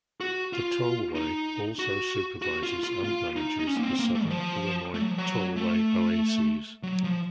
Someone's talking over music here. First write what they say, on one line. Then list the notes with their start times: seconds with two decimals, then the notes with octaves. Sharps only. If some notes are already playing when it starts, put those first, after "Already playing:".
The Tollway also supervises and manages the seven Illinois Tollway oases.
0.21 F#4
0.53 F4
1.15 D#4
1.79 F#4
2.42 F#4
2.63 F4
2.84 F4
3.04 F4
3.36 D#4
3.59 D#4
3.67 C#4
3.76 A#3
3.83 C4
3.99 A#3
4.15 A3
4.25 D#3
4.31 F3
4.94 A3
5.02 F#3
5.11 F3
5.18 F#3
5.56 A3
6.83 F#3
7.04 F3